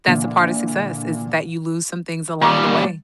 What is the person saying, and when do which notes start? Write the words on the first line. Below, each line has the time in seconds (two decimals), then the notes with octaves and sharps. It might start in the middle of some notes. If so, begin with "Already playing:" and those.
that's a part of success, is that you lose some things along the way,
0.07 A#2 D3 E3
2.42 A#2 G3